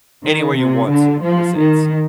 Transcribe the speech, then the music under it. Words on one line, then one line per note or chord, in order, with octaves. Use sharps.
anywhere you want to, in a sense.
D#3
C3
D3
F3
D#3